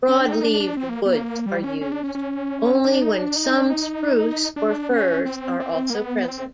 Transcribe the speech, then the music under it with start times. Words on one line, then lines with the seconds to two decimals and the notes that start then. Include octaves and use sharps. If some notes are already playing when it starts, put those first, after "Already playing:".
Broad-leaved woods are used, only when some spruce or firs are also present.
0.09 C#4
0.21 D4
0.32 D#4
0.43 D4
0.60 D4
0.77 C4
0.89 A#3
1.06 B3
1.13 A#3
1.46 G3
1.64 C#4
1.81 C#4
1.92 D4
2.04 C#4
2.15 C#4
2.84 D4
3.02 D#4
3.19 D4
3.36 D#4
3.53 D4
3.70 D#4
4.56 D4
4.91 C#4
5.25 C4
5.60 C4
5.90 A#3
5.95 B3
6.28 C4